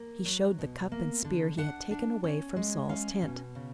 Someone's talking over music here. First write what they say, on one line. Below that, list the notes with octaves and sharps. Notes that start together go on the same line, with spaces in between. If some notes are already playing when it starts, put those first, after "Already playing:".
He showed the cup and spear he had taken away from Saul's tent.
Already playing: A#3
F#3
B2
A#3
D3
D4 F#5
D4
C#4
G#3
C#4 F5
B2
C#3